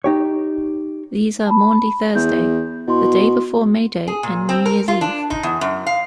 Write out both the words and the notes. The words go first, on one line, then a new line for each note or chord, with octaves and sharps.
These are Maundy Thursday, the day before May Day and New Year's Eve.
D#4 G4 C#5
A5 B5
E2 G6
B2 E4 C6
G#4
A#2
C4
A#4
F4
D4
D#4
E2
F#2
F5